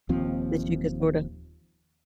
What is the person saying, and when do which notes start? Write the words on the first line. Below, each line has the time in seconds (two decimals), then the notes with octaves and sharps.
that you could sorta
0.09 D#1 D#2 F3 C4